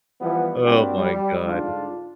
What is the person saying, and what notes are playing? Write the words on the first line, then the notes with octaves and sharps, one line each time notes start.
Oh my god.
E3 F3 G3 B3
G3 A#3 C4 D4 F#4 G4
G3
G#2 D3 D4 F4